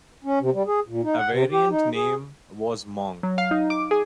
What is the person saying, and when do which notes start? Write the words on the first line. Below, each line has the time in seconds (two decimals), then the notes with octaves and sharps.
A variant name was "Monk".
0.24 C#4
0.41 C3
0.54 G3
0.67 G#4
0.88 A#2
1.04 D#4
1.18 F#5
1.31 C3
1.51 G4
1.70 D#4
1.95 G#4
3.23 F#3
3.38 F5
3.51 D#4
3.70 D6
3.91 G#4